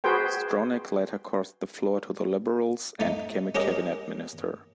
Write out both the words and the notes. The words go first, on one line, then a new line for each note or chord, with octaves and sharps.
Stronach later crossed the floor to the Liberals and became a cabinet minister.
F#4 G#4 B4 C5 G5
A3 D#4
C#4 G4 G#4 A#4 D#5